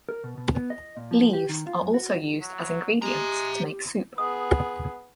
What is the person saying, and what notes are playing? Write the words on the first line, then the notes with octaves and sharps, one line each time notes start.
Leaves are also used as ingredients to make soup.
A#4
B2
B2
B3
D#5
A#2
F3
G4
D#3
F4
F#2
F#4
F#3
G#3 G4 E5 A#5
B3 G#4 D#6